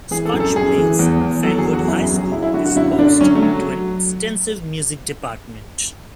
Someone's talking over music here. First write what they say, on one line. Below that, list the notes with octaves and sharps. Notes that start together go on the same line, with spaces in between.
Scotch Plains-Fanwood High School is host to an extensive music department.
E3 G#4
A4
F#2
A4
F#2 G#4
E3
E2
E2
F#3 A4
G#4
E2
F#4
F#2 E4
G#4
F#3
G#4
F#3 E4
E4
D3 F#4
F#4
F#2 E4
D3 D4
F#3 C#4
A3
F#3